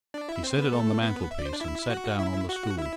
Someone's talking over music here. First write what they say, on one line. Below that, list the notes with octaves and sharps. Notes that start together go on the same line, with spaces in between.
He set it on the mantelpiece, and sat down on the stool.
D4 D5
E4 E5
C4 C5
B3 B4
A3 A4
B3 B4
E5
D5
C5
D4 D5
E4 E5
F#4 F#5
E4 E5
F#4 F#5
E4 E5